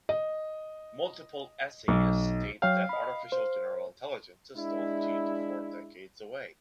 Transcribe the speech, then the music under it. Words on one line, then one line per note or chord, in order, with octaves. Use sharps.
Multiple essayists state that artificial general intelligence is still two to four decades away.
D#5
B1
F#3 C#5 F5 G5
D#5 B5
C5
G#3 D4 E4